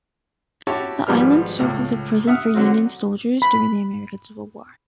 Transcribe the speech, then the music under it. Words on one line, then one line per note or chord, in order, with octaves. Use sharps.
The island served as a prison for Union soldiers during the American Civil War.
E4 F#4 G4 C#5 A5
G#1 G#2 F3 G3 B3 F6
C#2 A2
E5 F#5 D#6 F6
D3 F#3 C4 F#4
B5